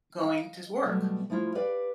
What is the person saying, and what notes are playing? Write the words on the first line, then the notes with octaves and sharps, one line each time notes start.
going to s work.
D#5 F5
B2 F#3 G3 A3 B3
F3 A3 E4 F4
G4 B4 D5 F5